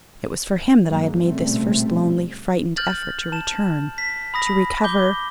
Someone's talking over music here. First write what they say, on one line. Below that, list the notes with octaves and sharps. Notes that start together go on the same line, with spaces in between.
It was for him that I had made this first lonely, frightened effort to return, to recover....
G2 F#3 G#3 A#3
B1 A#2 C#3 G3 A3 C4
F6 G6 A6 F#7
A5 E7
B6
B5 D#6 A#6
D6 G6 G7